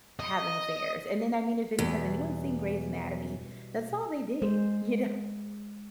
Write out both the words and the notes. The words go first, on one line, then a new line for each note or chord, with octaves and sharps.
having affairs, and then I mean if any Has anyone seen Grey's Anatomy? That's all they did, you know,
D#5
E2 B2 G3
G#3 C5